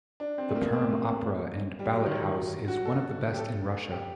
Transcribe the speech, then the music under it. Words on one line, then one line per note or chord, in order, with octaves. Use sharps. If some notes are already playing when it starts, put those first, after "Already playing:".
The Perm Opera and Ballet House is one of the best in Russia.
D4
C4
A3
A#3
C4
A3
G3
F#3
D#3
D#3
F#3
F#4
A4
G4
A4
G4